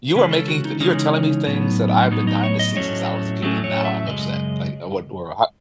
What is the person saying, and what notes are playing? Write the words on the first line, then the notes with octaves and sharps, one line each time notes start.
you are making th you're telling me things that I've been dying to see since I was a kid, and now I'm upset. Like, uh, what or ho
C#3 E3 G#3 C#4 B4
A4
F#4
D#4
C#3 E3 G#3 C#4 D#4
A2 F#3 B3
A2 F#3 B3 D#4
D#4
C#5
D#5
A2 F#3 A3 C#4 C#5
A2 F#3 A3 C#4
C#5
E5
F#2 C#3 G#3 D#5